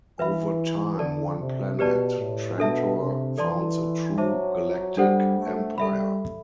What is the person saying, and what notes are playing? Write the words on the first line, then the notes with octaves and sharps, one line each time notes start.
Over time one planet, Trantor, founds a true Galactic Empire.
E3 B4 E5 B5
D3 A4 D5 A5
C3
B2 G4 B4 D5 A5
A2
B2 D4 A4 E5 A5
C3
E3 A4 D5 A5 C6
F#3 C5 E5 A5 D6
G3 D4 A4 C5 F#5
A3
G3 A4 E5 B5